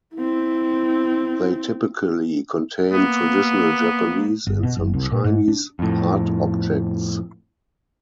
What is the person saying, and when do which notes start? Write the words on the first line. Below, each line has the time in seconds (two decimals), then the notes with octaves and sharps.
They typically contain traditional Japanese, and some Chinese, art objects.
0.16 C4 E4
2.92 A#3 B3
4.47 G1
4.63 B2
4.77 F#1
4.94 C2
5.12 A#2
5.24 G#2
5.48 D4
5.79 F2 A2